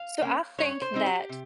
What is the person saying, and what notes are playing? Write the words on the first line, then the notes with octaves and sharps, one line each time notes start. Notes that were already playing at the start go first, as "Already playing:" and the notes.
So I think that
Already playing: F5
A#3 C#4
G2 C#5
C5
G3 C4 D#4
G4
C3